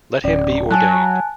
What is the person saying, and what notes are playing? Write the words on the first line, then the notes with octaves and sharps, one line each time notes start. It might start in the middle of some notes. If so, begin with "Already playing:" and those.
Let him be ordained.
D1 C#4 D5
F#3 G#5 A5 F#6